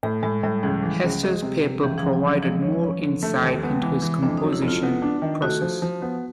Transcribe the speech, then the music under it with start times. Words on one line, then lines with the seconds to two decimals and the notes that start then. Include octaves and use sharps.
Hester's papers provide more insight into his composition process.
0.03 A2 A3
0.23 A2 G#3
0.43 A2 G3
0.63 C#2 F3
0.83 E3
1.04 C#2
1.23 G#3
1.42 C3
1.63 C3
1.83 C#2 E3
1.98 C#2 F3
2.13 F#3
2.23 C#3 F3
2.42 F3 G#3
2.62 C#4
2.72 F3
2.83 C#4
3.03 D3
3.23 A3
3.42 D#2
3.63 G#3 B3
3.83 E3
4.02 E3
4.22 F2 D4
4.37 D#4
4.43 F#3
4.53 E4
4.62 F2
4.68 F4
4.83 B3
5.02 D4
5.22 D#3
5.42 A3 F#4
5.62 F3
5.82 F3
6.02 B3